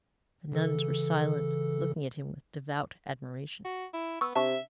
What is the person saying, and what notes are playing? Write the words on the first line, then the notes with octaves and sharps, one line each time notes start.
The nuns were silent, looking at him with devout admiration.
C#3 E3 A4
F#4
E4
B3 C#6 D#6 E6
C3 D4 E5 A5 C#6